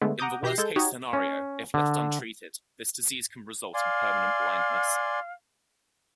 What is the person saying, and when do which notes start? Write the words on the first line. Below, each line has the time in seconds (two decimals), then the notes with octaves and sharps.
In the worst-case scenario, if left untreated, this disease can result in permanent blindness.
0.02 D3 G#3 A3 B3
0.19 F#5 A#5 D6 D#6 G6
0.43 B2 G4 G6 A#6 C7
0.58 G#3 A4 G6
0.76 D#4 F#4 G4 C#5 D#5
1.13 C#4
1.74 D3
3.74 D5 F5 G#5 C6